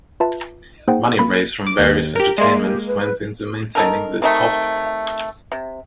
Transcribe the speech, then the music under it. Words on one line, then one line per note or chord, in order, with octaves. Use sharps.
Money raised from various entertainments went into maintaining this hospital.
F4 B4 E5 A5
A#3 D#4 G#4 C5 F#5 G5
A#3 B5
D6
D#2
G4 A#4
G#3 A#3 D5 E5 C6
G4
B4
D#3 A4 A#4
C3 D#3 A3
C3